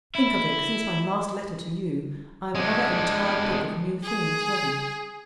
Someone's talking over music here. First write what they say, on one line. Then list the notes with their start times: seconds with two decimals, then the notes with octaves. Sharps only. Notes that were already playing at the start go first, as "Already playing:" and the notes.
Think of it, since my last letter to you I have another entire book of new things ready.
0.15 E4
2.55 G#3 D4
4.03 G#4